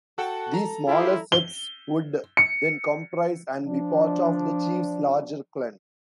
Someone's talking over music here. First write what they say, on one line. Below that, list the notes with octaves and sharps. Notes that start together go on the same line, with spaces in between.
These smaller septs would then comprise, and be part of, the chief's larger clan.
F#4 A4 F#5 G5
A#5
E4 F4 G4
G7
C#7
F3 D4